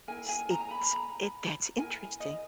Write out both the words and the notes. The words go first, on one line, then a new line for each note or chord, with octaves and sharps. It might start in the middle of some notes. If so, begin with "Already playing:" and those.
S it's it that's interesting.
E4 A#4 G#5
G#5
A#5
B5
A#5
E4 A#4 G#5
D#5